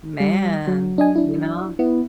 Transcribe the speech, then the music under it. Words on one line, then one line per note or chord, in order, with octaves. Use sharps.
Man, you know,
G3
F#3
D4 D#5 G#5
D4 E4
B3 E4